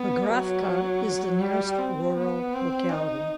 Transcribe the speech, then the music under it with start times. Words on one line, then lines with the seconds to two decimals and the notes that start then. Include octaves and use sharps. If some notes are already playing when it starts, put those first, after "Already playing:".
Pokrovka is the nearest rural locality.
Already playing: B3
0.30 F#3
1.41 G3
1.79 C4
2.17 B3
2.53 C4
2.90 D#4